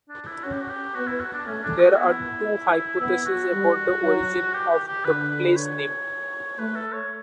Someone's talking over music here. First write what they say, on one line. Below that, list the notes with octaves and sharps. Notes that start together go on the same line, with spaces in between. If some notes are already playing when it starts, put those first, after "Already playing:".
There are two hypotheses about the origin of the place name.
D4
E4
C#4 F#4
G4
F#4
G4
B3 F#4
E4
F#4
D4
A3 C#4
D4
F#4
B3 E4
B3 E4
F#4
G3
F#3
G4
G4
G4
D3 B4
B4
C#5
A3 B4
A4
C#5